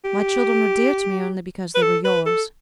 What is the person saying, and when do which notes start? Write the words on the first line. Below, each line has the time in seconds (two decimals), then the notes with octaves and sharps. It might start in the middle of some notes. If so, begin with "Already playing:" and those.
My children were dear to me only because they were yours.
0.04 G4
1.75 B4
1.82 A4
2.05 B4
2.26 A4